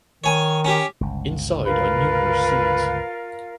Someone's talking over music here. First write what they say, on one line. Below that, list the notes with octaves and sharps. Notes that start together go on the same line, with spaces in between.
Inside are numerous seeds.
D#3 C#5 G#5
C#4 G4
G1 C#2
F4 A#4 B4 F5